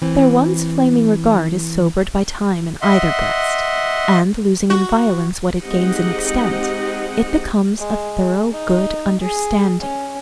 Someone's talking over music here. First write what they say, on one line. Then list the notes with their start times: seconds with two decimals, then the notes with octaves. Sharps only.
Their once flaming regard is sobered by time in either breast, and losing in violence what it gains in extent, it becomes a thorough good understanding.
0.02 E3 C4
2.82 D#5 E5 F#5 C6
4.70 F#4
5.61 G#3 C4 D#4 G4 D#5 F#5
7.78 G#3
8.52 D#4
9.22 G#4
9.81 C#4